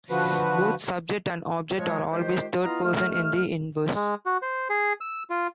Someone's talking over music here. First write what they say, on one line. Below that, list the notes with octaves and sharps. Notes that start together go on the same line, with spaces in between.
Both subject and object are always third-person in the inverse.
D3 F3 F#4 B4
F3 G#3 C#5
D#3 G#3 F4 G4 C5
B3 E4 F4 D#5 F5 A#5
D#2 A3 A4 F6
G#3
F#4
C5
G#4
E6
F4